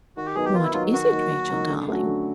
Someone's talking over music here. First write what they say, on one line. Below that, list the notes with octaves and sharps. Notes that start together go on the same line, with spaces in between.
'What is it, Rachel, darling?'
D#3 F#4
G4
F#3 B3 D#4 G#4
G4
D#3 F4
E4
F#3 B3 D#4 F4
D#3 F#4
F#3 A#3 D#4
D#3
F#3 A#3 D#4
D3
F#3 A3 C#4 F#4
D3